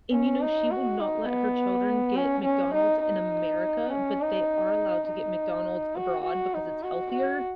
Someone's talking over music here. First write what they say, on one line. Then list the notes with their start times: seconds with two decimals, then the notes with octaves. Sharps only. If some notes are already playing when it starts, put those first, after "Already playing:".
and, you know, she will not let her children get McDonald's in America, but they are allowed to get McDonald's abroad because it's healthier.
0.12 C#4
0.41 D#4
0.71 F#4
1.00 D#4
1.28 B3
2.16 C#4
2.45 C#4
2.74 D#4
3.04 D#4
3.91 C#4
4.21 D#4
5.08 D#4
5.96 F#4
6.24 F#4
6.54 D#4
6.83 F#4
7.11 F#4